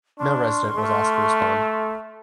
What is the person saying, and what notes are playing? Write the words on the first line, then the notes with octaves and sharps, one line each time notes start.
No resident was asked to respond.
D4 C6 C#6 F6
A3